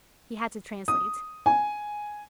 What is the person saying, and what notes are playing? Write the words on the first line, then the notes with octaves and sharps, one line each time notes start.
He had to translate.
D#6
G#5